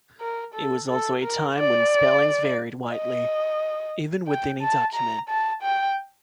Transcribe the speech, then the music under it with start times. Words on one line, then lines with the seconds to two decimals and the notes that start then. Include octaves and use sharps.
It was also a time when spellings varied widely, even within a document.
0.20 A#4
0.55 A4
0.89 A4
1.22 A#4
1.56 D5
2.92 D#5
4.28 G5
4.61 A5
4.95 A#5
5.29 A5
5.63 G5